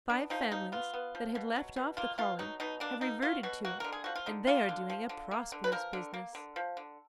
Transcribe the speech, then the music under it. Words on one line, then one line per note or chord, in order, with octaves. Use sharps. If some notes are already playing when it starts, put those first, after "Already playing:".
Five families that had left off the calling have reverted to it and they are doing a prosperous business.
B3 D4
F3 D#4
F3 D#4
B3 F4
B3
F3
B2
F#3
B2
A#3 F4
B2 F4
F#3 D#4
B2 D#4
A#3 D4
B2 D#4
F#3 F4
B2 F#4
A#3 F#4
D3 A#4
G#4
F3 F#4
F4
D3 D#4
A#3 F4
D3
F3
D3
A#3
D3
B4
F3 A#4
D3
A#3
D3
F3
D3